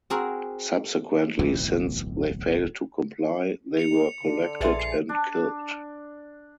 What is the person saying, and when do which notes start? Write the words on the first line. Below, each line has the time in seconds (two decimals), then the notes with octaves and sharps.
Subsequently, since they failed to comply, they were collected and killed.
0.10 C4 F#4 G#4 A#4
1.39 D1 B1 E2 E3
3.77 C#7 F7
4.20 D3
4.60 A#1 G#4 B4 E5 C6 A6
4.80 C7
5.09 D4